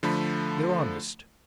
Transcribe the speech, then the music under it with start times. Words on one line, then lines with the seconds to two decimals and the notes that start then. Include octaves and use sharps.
They're honest.
0.03 D3 F3 A3 B5